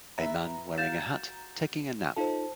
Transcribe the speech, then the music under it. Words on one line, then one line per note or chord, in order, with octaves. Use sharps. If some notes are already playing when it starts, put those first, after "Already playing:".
A man wearing a hat taking a nap.
B3 E5 A#5
F#4 F5 G6 A6 E7
D#4 F4 A4 C5 A5